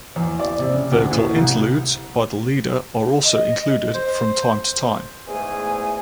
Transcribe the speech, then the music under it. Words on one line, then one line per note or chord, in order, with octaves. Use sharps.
Vocal interludes by the leader are also included from time to time.
E2
D5
C3
C#3
D2
A2
C2
D#5
C5
E2 G#2 A3 G#4 G#5